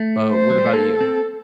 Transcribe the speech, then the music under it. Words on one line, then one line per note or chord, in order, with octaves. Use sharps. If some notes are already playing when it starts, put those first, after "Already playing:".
But what about you?
Already playing: A3
C5
F#3
G3
A3
A#3 A4
C4